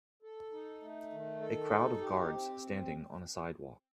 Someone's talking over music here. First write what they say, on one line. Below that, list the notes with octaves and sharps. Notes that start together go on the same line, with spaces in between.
A crowd of guards standing on a sidewalk.
A4
D#4
A3
D#3
A4
D#4
G4
C4